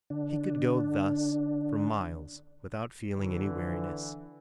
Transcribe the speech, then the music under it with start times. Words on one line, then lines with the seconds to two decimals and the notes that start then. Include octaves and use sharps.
He could go thus for miles without feeling any weariness.
0.10 D3 D4
3.15 D3 E3